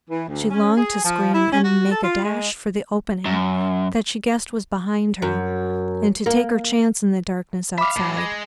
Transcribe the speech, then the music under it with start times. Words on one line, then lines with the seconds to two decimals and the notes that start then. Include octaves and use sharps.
She longed to scream and make a dash for the opening that she guessed was behind her, and to take her chance in the darkness outside.
0.10 E3
0.28 D2
0.51 C#4
0.77 G#4
1.05 F3
1.34 E4
1.52 C#4
1.64 F#4
1.92 A4
2.03 F4
2.25 G#3
3.26 F#2
5.22 F#2
6.26 A#3
7.78 E5 F5 B5 D6
7.97 A2 F#3
8.17 G#4 D#5